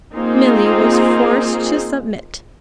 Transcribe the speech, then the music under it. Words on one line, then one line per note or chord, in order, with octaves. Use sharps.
Milly was forced to submit.
A#3 C4 D#4 F4 G#4 C5